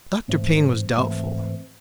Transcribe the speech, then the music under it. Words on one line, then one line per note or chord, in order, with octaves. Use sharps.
Dr. Payne was doubtful.
G#2 E3 A3 C4
G#2 E3 A3 C4